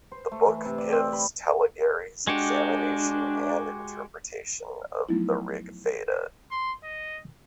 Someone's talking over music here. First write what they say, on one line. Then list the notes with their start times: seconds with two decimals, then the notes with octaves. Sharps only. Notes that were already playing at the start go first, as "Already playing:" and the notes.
The book gives Talageri's examination and interpretation of the Rig Veda.
0.12 C5
0.31 A3
0.46 E3
0.65 C3
0.78 D5
0.92 C4
1.13 B5
2.27 G#3 D4 F#4 G4
5.09 F3 F#3 A3 B3 D#4 E4
6.51 C6
6.84 D#5